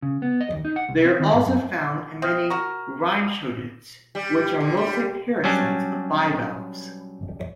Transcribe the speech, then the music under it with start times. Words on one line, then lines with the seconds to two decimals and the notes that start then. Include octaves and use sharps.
They are also found in many rhynchodids, which are mostly parasites of bivalves.
0.02 C#3
0.22 B3
0.41 D#5
0.53 D#2
0.65 D#4
0.76 F#5
0.89 C2
1.05 C4
1.20 D#3
1.33 G#2
1.45 F#2
2.22 C4 E5 D#6 F6
2.50 F#4 A#4 C#6
4.15 G3
4.60 D3
4.77 G3
5.44 F#3 G3 C#4 D4